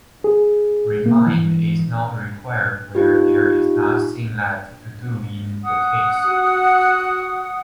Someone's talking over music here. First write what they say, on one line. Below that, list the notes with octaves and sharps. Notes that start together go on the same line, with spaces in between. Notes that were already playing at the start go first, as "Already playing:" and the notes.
Remand is not required where there is nothing left to do in the case.
G#4
A#3
E3
D#4 F4 G4
F#5 D#6
F#4